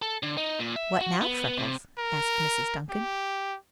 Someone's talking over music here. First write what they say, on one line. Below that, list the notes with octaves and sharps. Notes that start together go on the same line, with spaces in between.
"What now, Freckles?" asked Mrs. Duncan.
A4
D3
D#4
A#2
E5
F#4
B3
C3
A#4
G4